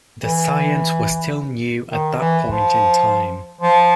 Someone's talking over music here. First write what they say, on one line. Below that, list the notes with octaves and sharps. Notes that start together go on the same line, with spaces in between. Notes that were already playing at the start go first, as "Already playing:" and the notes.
The science was still new at that point in time.
E3
D#3
E3
F3
F3